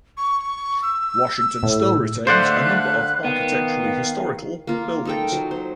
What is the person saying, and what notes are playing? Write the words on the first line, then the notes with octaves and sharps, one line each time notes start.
Washington still retains a number of architecturally historical buildings.
C#6
E6
A2
D3 A3 C5 D5 F5 F#5 B5 F#6
D#3 B3 F5
A#3 F4
D#4 A4 G5
F#3
C5